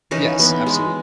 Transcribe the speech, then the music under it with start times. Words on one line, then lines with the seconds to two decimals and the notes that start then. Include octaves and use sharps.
Yes, absolute.
0.11 E3 C#4 D#4
0.40 B3
0.67 G#3